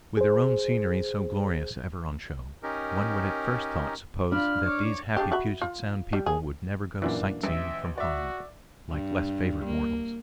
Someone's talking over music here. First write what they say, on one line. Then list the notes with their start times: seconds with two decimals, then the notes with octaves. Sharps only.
With their own scenery so glorious ever on show, one would at first thought suppose that these happy Puget Sound people would never go sightseeing from home like less favored mortals.
0.17 G#4 C5
2.63 C#4 D#4 G4 A#4
4.32 D4 F4 B5 F6
4.66 C#5 D6
5.17 C#3 D4 G4
5.32 F#4 E5 B5
5.61 F4
6.13 G3
6.26 G#4
7.02 F#2 A#2 E3 A#3 D4
7.43 A1 E5
7.98 F#4 D5 E5
8.90 G2
9.65 A#3